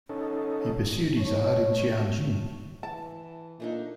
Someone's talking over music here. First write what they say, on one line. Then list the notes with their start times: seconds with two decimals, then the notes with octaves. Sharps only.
He pursued his art in Tianjin.
0.09 C#4 D#4 A4
1.16 A3 C#5
2.83 E3 A5
3.60 A#2 A3 D4 D#4